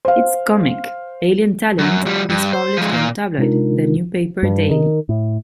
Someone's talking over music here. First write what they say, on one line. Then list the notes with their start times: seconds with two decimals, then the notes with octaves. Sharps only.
Its comic, "Alien Talent", is published on tabloid "The New Paper" daily.
0.05 C5 F5
1.79 F#2
2.06 F3 G3
2.29 G2
2.53 C5
2.77 F3 G#3
2.92 A#2 A#3
3.38 C3 G#3 D4 D#4 F4 A#4
4.43 G2
4.71 D#3
5.09 A2